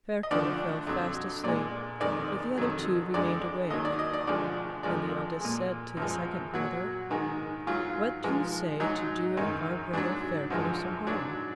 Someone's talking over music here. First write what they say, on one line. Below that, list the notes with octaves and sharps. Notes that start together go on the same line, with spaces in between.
Ferko fell fast asleep, but the other two remained awake, and the eldest said to the second brother, 'What do you say to doing our brother Ferko some harm?
D#5
D2 D3 F3 D5
F2 D3 F#3
A#2 G#3 D5
F2 D#3 G#3 D5
F2 D#3 F#3
F2 D3 G#3 D5
D#2 D#3 F#3 D#5
D5
D#5
D5
D2 D3 F3 G#3 D5
F2 F3 G#3 D5
A#2 G#3
F#2 F3 G#3
A#2 F#3 F#4
G#2 D#3 G#3
G#2 F#3 F4
G#2 F3 G#3
G#2 F#3 D#4
F#2 D#3 G#3
G#2 F#3 D4
F#2 D3 F3 G#3
G#2 F#3 D4